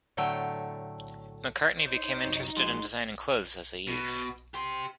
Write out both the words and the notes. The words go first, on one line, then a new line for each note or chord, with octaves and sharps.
McCartney became interested in designing clothes as a youth.
A2 D3 F#3 A3 G5
D#4 C5 C#5
F#2 C3
F3 G#3 F#4 C6
B2
G4 C6